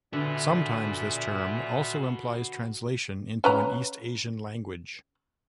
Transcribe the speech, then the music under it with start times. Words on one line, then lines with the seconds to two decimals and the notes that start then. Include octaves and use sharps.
Sometimes this term also implies translation into an East Asian language.
0.13 A#2 D3 F#4 B4 D5 E5 G#5 A5
3.44 C#4 B4 A#5